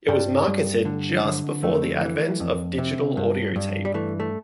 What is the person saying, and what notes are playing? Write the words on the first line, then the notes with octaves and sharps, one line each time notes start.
It was marketed just before the advent of Digital Audio Tape.
G2 G3
G2
D3
D3
F2 A3
E3
F2
C3
G2
G2
G3
E3 A3
A3